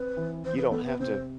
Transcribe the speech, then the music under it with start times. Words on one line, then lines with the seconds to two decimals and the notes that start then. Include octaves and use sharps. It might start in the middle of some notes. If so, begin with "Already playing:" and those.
You don't have to
Already playing: C4 B4
0.17 E3
0.44 E3 C5
0.58 B4
0.71 B3 A4
0.86 B4
1.00 C3 C5